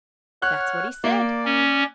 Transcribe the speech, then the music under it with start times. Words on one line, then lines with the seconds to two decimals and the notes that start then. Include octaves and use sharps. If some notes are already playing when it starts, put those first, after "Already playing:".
That's what he said.
0.42 C#5 F#5 F6 F#6
1.04 A#3 D5
1.45 C#4